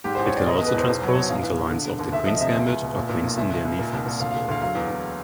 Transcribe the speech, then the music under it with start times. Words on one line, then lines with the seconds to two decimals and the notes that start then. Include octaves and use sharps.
It can also transpose into lines of the Queen's Gambit or Queen's Indian Defence.
0.04 G#2 G4
0.15 A1 C5
0.25 C#5
0.33 A1 D5
0.47 E1 D#5
0.57 B2 D#5
0.67 B4
0.74 E2 C5
0.88 B1 C5
1.02 F#3
1.09 C#5
1.16 B2
1.29 A#1 F5
1.43 E3
1.57 A#1
1.71 D3
1.85 E1
1.99 D#2
2.12 D2 E5
2.26 F3 D#5
2.36 D#5
2.40 C3 E5
2.53 C#2 E5
2.68 C#2
2.82 B2
2.95 A#2
3.09 A#2
3.24 B1
3.37 C#2 E5
3.51 C#2
3.65 C#2
3.79 A#2
3.93 C2
4.06 A#2
4.20 D2 F5
4.31 E1 F5
4.48 D2 F5
4.62 F#3 F5
4.75 E2
4.89 E2